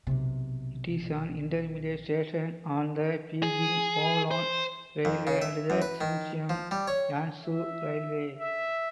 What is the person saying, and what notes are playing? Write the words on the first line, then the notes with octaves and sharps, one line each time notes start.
It is an intermediate station on the Beijing–Kowloon railway and the Xinxiang–Yanzhou railway.
B1 C3
G#4
C5
F2
C#3
E5
F#2
B4
D#3
F3
G3
C#5
E5
E5